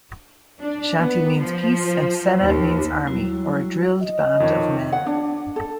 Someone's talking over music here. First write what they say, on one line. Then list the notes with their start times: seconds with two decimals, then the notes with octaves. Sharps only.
Shanti means peace and Sena means army, or a drilled band of men.
0.60 D4
0.98 B3
1.39 F3
2.42 D#2
3.07 F#3 G3 E4
4.01 D#5
4.40 F2 D#3 C#5
4.92 F#5
5.06 D4
5.56 A4